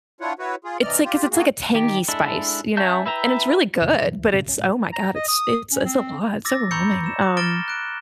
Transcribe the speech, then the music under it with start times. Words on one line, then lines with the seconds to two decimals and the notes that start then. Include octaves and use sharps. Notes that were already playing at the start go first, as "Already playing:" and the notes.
it's like 'cause it's like a tangy spice, you know, and it's really good, but it's, oh, my god, it's it's it's a lot, it's overwhelming, um
0.21 D4 E4 F4 C#5 F#5
0.39 E4 F#4 B4 C#5
0.64 F4 G#4
0.82 C3 E3 D5 D#5 F6
1.04 F4 G4
1.31 A#3 F#4 G#4
1.74 D#3 G4
2.08 G#3 D4 E4 A4
2.77 C#4 C#5 E5 A5 G6
3.06 E4 B4 E5 G5 A#5
3.81 E2 C3 D#3
4.01 F#2 B2 E3 F#3
4.18 C#2 E3
4.33 F2 A2 C#3 C4
4.45 G#1 C#2 C#3 C#4
4.56 A2 G#3
4.93 A#5
5.15 D#5
5.28 D#6
5.72 C#4
5.85 C4
6.45 D6 E6 A6 A#6
6.71 A#5 B5 C#6 E6 G6 C#7
7.04 E6 E7
7.22 D6
7.37 F6 A6 A#6 D7 E7 G7
7.68 F#6 D7